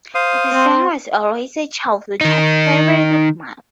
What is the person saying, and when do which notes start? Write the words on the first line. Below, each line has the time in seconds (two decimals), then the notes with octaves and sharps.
The song was always a childhood favorite of mine.
0.15 C5 F5 D#6
0.52 C4
2.21 D#3 D#4